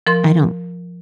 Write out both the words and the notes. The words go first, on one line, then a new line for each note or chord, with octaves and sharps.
I don't
F3 A#4 C6